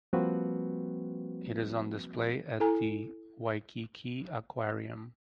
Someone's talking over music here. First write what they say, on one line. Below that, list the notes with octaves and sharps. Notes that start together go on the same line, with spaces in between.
It is on display at the Waikiki Aquarium.
F3 G3 A#3 C4 F#4 B4
E4 A4 G#5 A#5